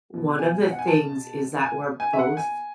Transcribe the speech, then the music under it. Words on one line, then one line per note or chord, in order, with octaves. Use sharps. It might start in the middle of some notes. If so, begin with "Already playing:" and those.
one of the things is that we're both
B2
G#5
G#5
F#5
G#5
A5
G#5
G#5
E5
F#5
G#5